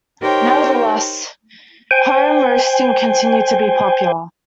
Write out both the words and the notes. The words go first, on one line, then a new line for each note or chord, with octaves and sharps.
Nevertheless, home roasting continued to be popular.
D#4 G4 A#4 C5 C#5 G5
C5 G5 G#5